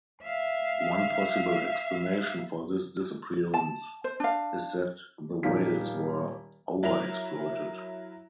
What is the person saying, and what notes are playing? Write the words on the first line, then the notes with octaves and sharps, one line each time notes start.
One possible explanation for this disappearance is that the whales were overexploited.
E5 F5
A5
C5
D4 F5
D#1 F3 D#4 F5 B6
F#3 E4 A#4 F7